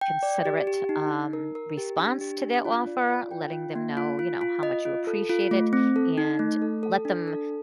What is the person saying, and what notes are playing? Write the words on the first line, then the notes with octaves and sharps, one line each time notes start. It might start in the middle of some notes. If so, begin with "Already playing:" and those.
considerate, um, response to their offer, letting them know, you know, how much you appreciate it, and let them
G5
D5
G4
G4
D#4
D#4
A#4
A#4
G4
D4
G4
D4
F4
D5
F4
G5
F4
A#3
F4
F4
F4
D#5
F4
A4
F4
A3
C4
A4
D#4
A3
A4
A4
D4
A4